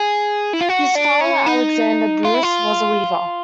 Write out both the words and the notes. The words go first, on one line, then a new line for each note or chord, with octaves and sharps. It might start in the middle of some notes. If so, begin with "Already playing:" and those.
His father, Alexander Bruce, was a weaver.
Already playing: G#4
E4
F4
F#4
D4
C#4
D#4
F4
E4
F4